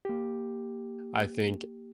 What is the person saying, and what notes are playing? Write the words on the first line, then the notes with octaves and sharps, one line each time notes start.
I think,
A#3 G4